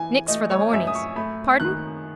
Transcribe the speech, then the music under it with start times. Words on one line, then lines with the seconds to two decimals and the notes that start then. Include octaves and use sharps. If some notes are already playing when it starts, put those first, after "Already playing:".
Nix for the hornies. Pardon?
Already playing: E3 G#5
0.28 A3 D#5
0.50 C#5
0.73 F#2 E5
0.87 D#6
0.95 C#6
1.16 A3 B5
1.60 D#3 F#6